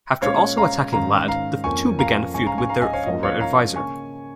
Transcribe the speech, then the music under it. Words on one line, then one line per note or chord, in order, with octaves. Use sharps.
After also attacking Ladd, the two began a feud with their former adviser.
A#2 G#3 C#4 C#5 F5
F5 A#5
G#2 D#3 C#4 F5 A#5
F5 A#5
F2 F3 A#3 C#4 G#5 C#6
F5 A#5
G#2 G#3 C#4 G#5 C#6
F5 A#5
G#5 C#6
F5 A#5
D#5 G#5
C#5 F5
G#2 F3 A#3 C#4 D#5
C#5 F5
F5 A#5
C#3 A#3 C#4 G#5 C#6